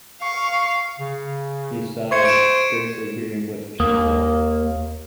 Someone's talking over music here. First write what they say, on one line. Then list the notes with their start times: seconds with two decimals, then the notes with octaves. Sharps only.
He sighed, scarcely hearing what she said.
0.22 F5 C#6
1.00 C#3
2.11 C5 C#6 G#6 C#7
2.25 D7 E7
3.80 D#2 A#3 D#6